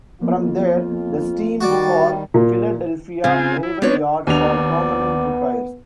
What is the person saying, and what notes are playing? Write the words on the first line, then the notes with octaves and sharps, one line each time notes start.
From there, the steamed for Philadelphia Naval Yard for permanent repairs.
F2 F3 A#3 B3 F4
D#3 G3 F#4 D5
A#2
C#3 C4 F4 G#5
E4
B3 C4 D4 C#5 D#5
D#2 B3 D4 D5 F7